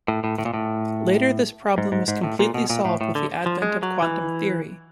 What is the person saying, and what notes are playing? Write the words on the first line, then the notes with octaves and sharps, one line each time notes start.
Later this problem was completely solved with the advent of quantum theory.
A2
A2
A2
A#2
A2
G#2
G#2
G#2
A2
A#2
B2
A#2
A2
A2
D3
F3
G#3
F#3
E3